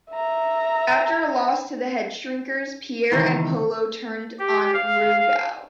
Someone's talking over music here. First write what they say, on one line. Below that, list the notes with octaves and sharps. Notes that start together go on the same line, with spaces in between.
After a loss to The Headshrinkers, Pierre and Polo turned on Rougeau.
E5 A#5
C#2 D#3 E3
G4
F5